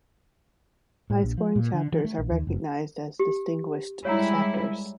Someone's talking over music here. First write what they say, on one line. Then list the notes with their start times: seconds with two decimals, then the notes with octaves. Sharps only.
High scoring chapters are recognized as Distinguished Chapters.
1.10 A2
1.23 A#1
1.38 F3
1.55 A#2
1.73 D3
1.92 E3
2.05 A3
2.18 A#1
2.31 D#2
2.47 F#1
3.20 G4
4.05 G3 G#3 E4 C#5 F#5 A#5